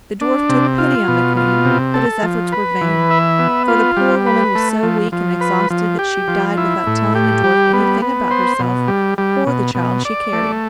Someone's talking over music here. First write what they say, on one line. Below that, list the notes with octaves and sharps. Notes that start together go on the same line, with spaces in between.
The dwarf took pity on the Queen, but his efforts were vain, for the poor woman was so weak and exhausted that she died without telling the dwarf anything about herself or the child she carried.
D4
C3
F4
B2
F4
C3
A4
F3
B4
E3
E5
B3
F4
G3
B4
A3
F3
F3
B4
F3
G4
F3
E4
A2
G4
G3
B3
B3
C5
B2
G3
G3
B2
B2
D5
A3